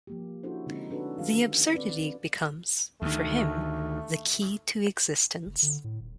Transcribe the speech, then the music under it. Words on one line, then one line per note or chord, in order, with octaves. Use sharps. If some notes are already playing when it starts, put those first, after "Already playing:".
The absurdity becomes, for him, the key to existence.
F3 A#3 G4
C#4 D4 E4 F#4 A4 C5
D3 G#3 C4 D#4
C#4 D4 F#4 A4 B4
D#3 F4 A4 F5
C4 B4 D5
D2 D#3 A3
F#1
D3
A2
D#1